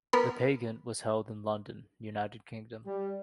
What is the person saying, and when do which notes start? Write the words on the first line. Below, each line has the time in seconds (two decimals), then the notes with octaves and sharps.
The pageant was held in London, United Kingdom.
0.13 B3 A#4 B5
2.86 G3